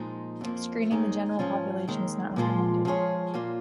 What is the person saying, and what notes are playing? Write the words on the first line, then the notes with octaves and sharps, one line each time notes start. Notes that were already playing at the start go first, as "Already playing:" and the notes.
Screening the general population is not recommended.
Already playing: A#2 F3 G#3 D#4
F2 F3 A#3
D#2 D#3 G#3 D#4 G#4
G#2 F3 C#4 F4
D#2 D#3 G#3
A#2 F3 G#3 F4
F3 G#3 F4 G#4 C#5
A#2 A#3 F4